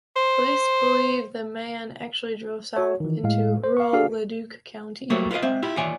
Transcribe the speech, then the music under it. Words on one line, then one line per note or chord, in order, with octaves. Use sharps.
Police believe the man actually drove south into rural Leduc County.
C5
F#4 C#5
D#3 E3
A2 G#3 F5
C5
F5 C#6
D4 F#4 G#4 A4 D5 F5
F#3 G3 A3 A#3 C5 C#5
F4 B4 C#5 D#5 F5
G#3 C4 E5
E4 F4 G4
D#2 E3 F4 C#5 D5 G#5